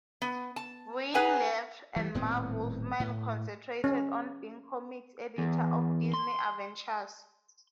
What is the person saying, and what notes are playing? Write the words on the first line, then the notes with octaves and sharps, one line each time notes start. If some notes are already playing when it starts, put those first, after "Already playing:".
Wein left and Marv Wolfman concentrated on being comics editor of "Disney Adventures".
B3
A5
G#4 B4 F#5 G#5 A#5
E3 G3
D#1 A2 B3 C4
A2
C#4
E2
C6